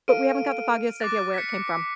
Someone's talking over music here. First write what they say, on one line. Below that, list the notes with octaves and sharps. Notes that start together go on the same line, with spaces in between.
but we haven't got the foggiest idea where it came from.
A4 F5 F6 D7 D#7
D6 F#6 A6 A#6
B6 C#7